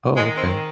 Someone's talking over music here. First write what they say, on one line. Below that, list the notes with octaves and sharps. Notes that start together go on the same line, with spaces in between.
Oh, okay.
D#3 G#3
C4